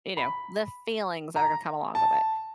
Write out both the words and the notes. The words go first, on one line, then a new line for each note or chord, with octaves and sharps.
you know, the feelings that are gonna come along with it.
B5
A#5
A5